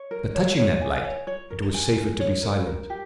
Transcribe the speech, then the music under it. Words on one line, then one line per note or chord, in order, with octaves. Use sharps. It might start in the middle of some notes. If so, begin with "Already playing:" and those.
But touching that light, it was safer to be silent.
Already playing: C#5
A#4
C#5
C#5
G#5
C#5
C#5
A#4
G#5
A#4
C#5
A#4
A#4
G4